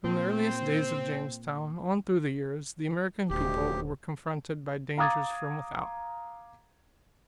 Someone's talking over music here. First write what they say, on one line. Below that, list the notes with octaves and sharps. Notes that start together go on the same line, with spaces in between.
From the earliest days of Jamestown on through the years, the American people were confronted by dangers from without.
A#2 C4
D#1 D2 G4
F5 A#5 D6 D#6 G#6 A6